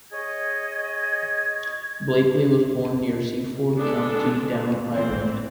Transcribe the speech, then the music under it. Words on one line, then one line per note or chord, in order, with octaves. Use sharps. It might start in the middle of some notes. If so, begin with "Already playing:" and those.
Blakeley was born near Seaford, County Down, Ireland.
G#4 C#5 D#5 G#6
G#3 B3 D4 A4
E3 C4 C5